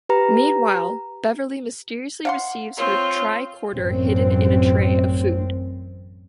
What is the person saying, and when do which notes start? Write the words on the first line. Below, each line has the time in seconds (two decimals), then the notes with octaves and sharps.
Meanwhile, Beverly mysteriously receives her tricorder hidden in a tray of food.
0.09 G4 B4 A#5
2.25 F5 F#5 C6
2.77 C4 F4 C#5
3.74 A1 F#2 C4